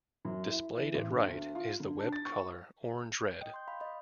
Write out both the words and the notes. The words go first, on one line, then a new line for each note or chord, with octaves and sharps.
Displayed at right is the web color orange-red.
F#2
E4
E3
A1
D3
D2
F4
D3
D4
A6
C#6
D#5 G5
C6 G6
F5 B5
D#5 B5